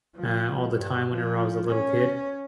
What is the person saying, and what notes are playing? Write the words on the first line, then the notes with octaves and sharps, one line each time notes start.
uh, all the time whenever I was a little kid,
F3
G2
F3
C#4